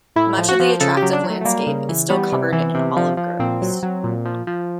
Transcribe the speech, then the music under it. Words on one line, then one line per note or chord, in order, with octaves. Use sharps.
Much of the attractive landscape is still covered in olive groves.
A2 E4
F3
F#4
F3
C#3 A4
G4
F#3
D4
F#3
A3
A3
G3 A#3
C#3
E3
G3 B3
C3
E3
C3
F3
F3
A#2 C4
F#3
F#3
A#2
F3
F3